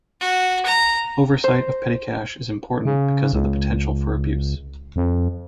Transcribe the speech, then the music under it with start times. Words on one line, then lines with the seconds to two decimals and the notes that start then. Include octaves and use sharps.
Oversight of petty cash is important because of the potential for abuse.
0.21 F#4
0.66 A#5
1.44 C5
2.85 C#3
3.33 C#2
4.96 F2